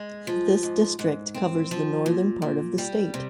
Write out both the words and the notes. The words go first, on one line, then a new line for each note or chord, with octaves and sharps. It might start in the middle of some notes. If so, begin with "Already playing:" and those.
This district covers the northern part of the state.
Already playing: G#3
F3
G#2
G#2
C4
F3
A#2
A#2
G3
C3